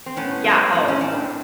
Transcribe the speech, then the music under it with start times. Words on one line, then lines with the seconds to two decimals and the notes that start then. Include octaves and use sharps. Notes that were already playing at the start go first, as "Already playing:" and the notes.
Yeah, oh, of cour
0.06 C4
0.16 A2 B3 C#4
0.44 G3
0.73 A2 C4
0.88 C#4
1.00 A2 C4 D4